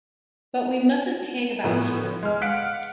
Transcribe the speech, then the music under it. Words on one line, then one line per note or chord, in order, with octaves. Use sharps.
But we mustn't hang about here.
A2 F3 B3
G#3 F6
F5 F#5 F#6 B6 C#7 D7